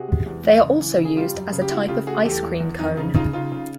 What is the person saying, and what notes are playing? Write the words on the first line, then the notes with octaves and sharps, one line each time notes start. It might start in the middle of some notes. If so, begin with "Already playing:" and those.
They are also used as a type of ice cream cone.
Already playing: C3 F#4 G#4
G#3
E2
G#3
C#3
E3
C#3
G#4
G3 F4 G4
F#2
C#3
G4
A3 E4 F#4
C#3 F4 G4
A3 F#4 G#4
E2 G4 A4
E2
E2
F2 D#4
C#3 D#4
C#3 D#4 F4
C#3 D#4 F4
C#3